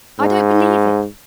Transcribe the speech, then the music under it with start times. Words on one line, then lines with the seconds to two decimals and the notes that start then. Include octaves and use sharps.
I don't believe it!
0.19 G#2